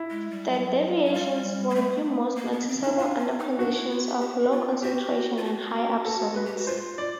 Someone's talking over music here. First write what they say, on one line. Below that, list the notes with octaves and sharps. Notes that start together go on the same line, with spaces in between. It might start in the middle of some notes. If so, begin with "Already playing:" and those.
The deviations will be most noticeable under conditions of low concentration and high absorbance.
Already playing: E4
G#3
G3
F#3
F#3
G3 F4
A#3
A3
A#3
B3
C4
D4 E4
D4 F4
C#4
D#4
D4 F#4
E4
F4
G4
G4
F4
F#4 G4
F4
F#4
A4
B4
G4
F#4
F4 C5
D5